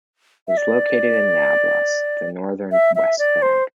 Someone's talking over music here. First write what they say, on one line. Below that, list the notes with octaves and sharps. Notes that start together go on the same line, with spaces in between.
It is located in Nablus, in the northern West Bank.
E5
D5
E5
E5
D5
C5